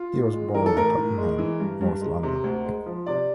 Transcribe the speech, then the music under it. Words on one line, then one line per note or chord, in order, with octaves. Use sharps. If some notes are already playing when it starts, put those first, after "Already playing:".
He was born in Tottenham, North London.
Already playing: F4
A2
G#3
E3 A#4
A4
A2 A#4
A2
G#3
E3
G2
G2
G#3
C3
D2
G#3
F3
C3 D5